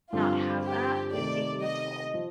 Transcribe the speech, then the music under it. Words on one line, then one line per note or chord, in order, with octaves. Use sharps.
not have that is taking a toll.
G2 D3 F3 C4 F4
G4
C3 D#3 A3 D5
D#5
F3